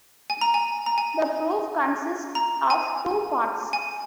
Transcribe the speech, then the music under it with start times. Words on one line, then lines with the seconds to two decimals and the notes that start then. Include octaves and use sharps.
The proof consists of two parts.
0.30 G#5
0.41 A#5
0.54 G#5
0.86 A#5
0.98 G#5
2.35 A#5
2.70 G#5
3.73 G#5